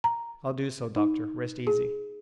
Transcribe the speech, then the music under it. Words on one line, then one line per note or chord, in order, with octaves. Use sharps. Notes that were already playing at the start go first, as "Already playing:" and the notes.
"I'll do so, doctor; rest easy."
A#5
D#4
G#4